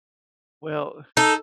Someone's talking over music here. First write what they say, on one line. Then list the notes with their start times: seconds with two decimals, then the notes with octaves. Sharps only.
Well, uh,
1.17 D#4 A4